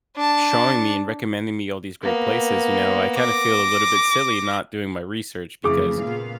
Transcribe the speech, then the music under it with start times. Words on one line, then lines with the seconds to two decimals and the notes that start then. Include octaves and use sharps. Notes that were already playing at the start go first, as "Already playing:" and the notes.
showing me and recommending me all these great places, you know, I kinda feel a little bit silly not doing my research because
0.15 D4 A5
2.03 A#3 B3
3.18 D6 A#6
5.64 F2 C#3 E3 A3 G#4 D6
6.03 A#2 B3 F5